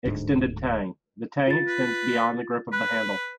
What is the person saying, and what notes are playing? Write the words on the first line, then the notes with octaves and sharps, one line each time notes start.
Extended Tang: the tang extends beyond the grip of the handle.
D1 D2 G#2 D4
F4 A6
B4
B4 B5 F#6